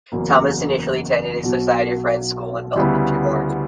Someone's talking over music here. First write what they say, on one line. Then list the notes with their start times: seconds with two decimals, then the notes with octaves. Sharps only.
Thomas initially attended a Society of Friends school in Baltimore.
0.12 F#1 E2 C#3 F#3 A#3
1.44 B1 B2 F#3
2.76 D2 C#3 G3 B3 E4